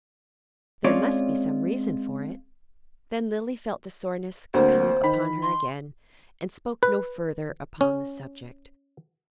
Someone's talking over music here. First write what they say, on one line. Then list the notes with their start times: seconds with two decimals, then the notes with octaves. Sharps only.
"There must be some reason for it." Then Lily felt the soreness come upon her again, and spoke no further upon the subject.
0.84 G#3 C4 C#4 F4 C#5 D5
4.54 D2 A#3 C4 C5
5.03 D#3 B5
5.42 C6
6.83 B4
7.81 C#4